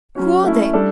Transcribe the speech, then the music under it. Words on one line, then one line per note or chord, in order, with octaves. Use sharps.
"Who are they?"
F#3 C#4 F#4 C#5
A3 C#4 E4
G3 D4 A4 D5